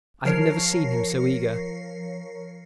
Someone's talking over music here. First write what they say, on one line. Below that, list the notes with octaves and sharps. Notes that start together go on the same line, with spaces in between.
I have never seen him so eager.
F3 A#4 C#5 C7